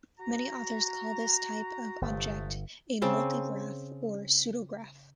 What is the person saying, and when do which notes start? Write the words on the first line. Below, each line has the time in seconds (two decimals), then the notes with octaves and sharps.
Many authors call this type of object a multigraph or pseudograph.
0.19 F#4 A#5
2.01 G1 C3 G#3 A3
3.02 C#3 C4 A5 C6